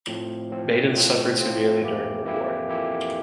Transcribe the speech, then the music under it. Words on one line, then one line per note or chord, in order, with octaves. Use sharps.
Baden suffered severely during the war.
A2 F3 C4
A2 F3 C4
A2 F3 C4
A2 F3 C4
F2 E3 A#3 E4 G4
F2 E3 A#3 E4 G4
F2 E3 A#3 E4 G4